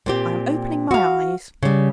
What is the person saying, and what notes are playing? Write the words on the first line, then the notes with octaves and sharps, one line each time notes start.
I am opening my eyes.
A#2 C4 G4
F#4 F5
C#3 G3